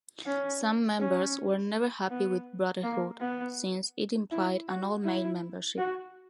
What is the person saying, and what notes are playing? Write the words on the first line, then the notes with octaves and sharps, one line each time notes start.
Some members were never happy with "brotherhood", since it implied an all-male membership.
C#4
C#4
B3
A#3
B3
E4
F#4
E4
F#4